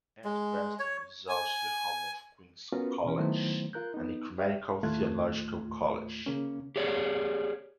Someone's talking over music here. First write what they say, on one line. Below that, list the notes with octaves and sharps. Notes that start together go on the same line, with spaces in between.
Edgbaston is also the home of Queen's College, an ecumenical theological college.
G#3
C#5
G#5
B3 C#4 F4 F#4 A#4 B4
B2 E3 C#4
D#3 F#3 A3 B3 E4 C5
F4 A#4 F#6 G6
B3 D#4
G4 C#5 D5 E5 F5
D#2 A2 A3 F4 F#6 G#6
C#3 A#3 C#4
G4 G#4 C#5 D5